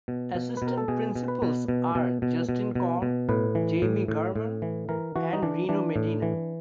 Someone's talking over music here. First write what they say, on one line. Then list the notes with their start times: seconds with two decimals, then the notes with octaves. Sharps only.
Assistant principals are Justin Conn, Jaime Garman, and Reno Medina.
0.08 B2
0.35 B2
0.57 B2 B4
0.67 A#4
0.78 A4
0.88 B2 G#4
1.15 B2
1.28 B4
1.42 B2
1.68 B2
1.95 B2
2.22 B2
2.49 B2
2.75 B2
3.02 B2
3.29 A2 B4
3.55 E3
3.82 A2
4.08 A2
4.36 A2
4.62 E3
4.89 E3 A#4
5.16 E3 F#4
5.33 D#4
5.42 E3 D4
5.69 E3 D4
5.96 A2
6.22 E3